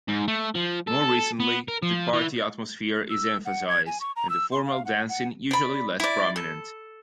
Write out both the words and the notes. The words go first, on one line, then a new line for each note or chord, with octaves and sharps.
More recently, the party atmosphere is emphasized and the formal dancing usually less prominent.
G#2
A3
F3
A4
B3
A#4
F3
E3
E6
F#5
G#6
G#5
C#6
A#5
E6
C6
F5
F#5
F#5
D5 B5
E4 D5
A4